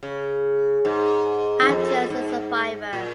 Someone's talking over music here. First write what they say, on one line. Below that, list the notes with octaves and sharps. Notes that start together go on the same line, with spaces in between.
I'm just a survivor.
C#3
G#2
G#2
F2
G#2
A#2